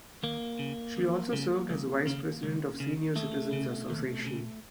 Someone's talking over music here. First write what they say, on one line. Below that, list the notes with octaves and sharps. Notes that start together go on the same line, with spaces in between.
She also served as vice president of Senior Citizens Association.
D#2 A#3
C#3
D#2
C#3
C#2
C#3
C#2
C#3
D#2 A3
C#3
D#2
C#3